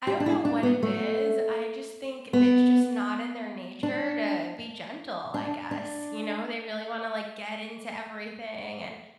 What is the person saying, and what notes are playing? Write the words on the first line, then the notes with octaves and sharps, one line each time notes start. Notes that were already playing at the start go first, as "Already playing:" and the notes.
I don't know what it is, I just think it's just not in their nature to be gentle, I guess, you know? They really wanna, like, get into everything and
G4
D4
E4
D4
B3
A3
B3
D4
D4
D4